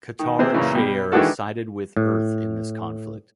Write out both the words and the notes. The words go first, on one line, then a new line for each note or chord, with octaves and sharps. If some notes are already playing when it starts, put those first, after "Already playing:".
Katar and Shayera sided with Earth in this conflict.
D#3
C3 B3 C4 G#4
F#2 A#2 C#3 E3
B2 G3
D#3 E3 G#3 D4 F#4 A4
A2